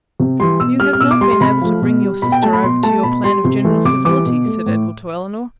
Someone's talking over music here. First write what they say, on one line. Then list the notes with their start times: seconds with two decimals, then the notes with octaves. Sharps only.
"You have not been able to bring your sister over to your plan of general civility," said Edward to Elinor.
0.20 C3
0.39 E3 G3 C6
0.60 B2 E6
0.80 G3 F6
0.93 F6
1.00 B2 E6
1.11 D6
1.21 G3 C6
1.31 C6
1.41 C3 B5
1.61 F3 A3
1.82 B2
2.02 G3
2.22 B2 B5
2.32 G5
2.43 A3 A5
2.53 B5
2.63 B2 C6
2.83 A3 A5
3.03 B2 B5
3.24 G3 C6
3.44 C3
3.64 E3 A3
3.85 C3 D6
4.05 E3 G3 D6
4.26 B2
4.46 A3
4.66 A2